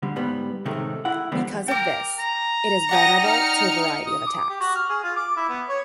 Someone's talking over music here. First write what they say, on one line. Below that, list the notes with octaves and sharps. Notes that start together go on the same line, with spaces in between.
Because of this, it is vulnerable to a variety of attacks.
D2 D3 G3
G#2 G3 B3
A2 C3 D#3 G#3 A3
E4 F#5
E2 D3 G3 B3 C4
A#4 G5 D6
A#5
D5 F#5 G5 D#6 A#6 C#7
D#4 F6 C#7
D#6
D6
G4
F#4
F6
G#4
F4
D6
E4
B3
C#5